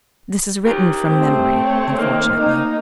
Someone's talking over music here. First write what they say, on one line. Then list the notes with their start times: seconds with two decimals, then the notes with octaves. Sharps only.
This is written from memory, unfortunately.
0.65 G4 A#4
1.08 A3 C4
1.65 C#5
1.98 D#3 A#3
2.40 D#4